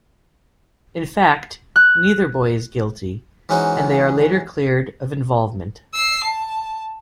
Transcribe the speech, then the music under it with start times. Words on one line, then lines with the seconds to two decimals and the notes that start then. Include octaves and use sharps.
In fact, neither boy is guilty, and they are later cleared of involvement.
1.76 F#6
3.49 E3 G#3 C#4 D#4 F#4 C5
5.94 E6 C7
6.24 A5